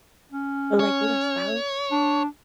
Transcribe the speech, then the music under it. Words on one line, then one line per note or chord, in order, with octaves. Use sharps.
but, like, with a spouse,
C#4
C#5
D4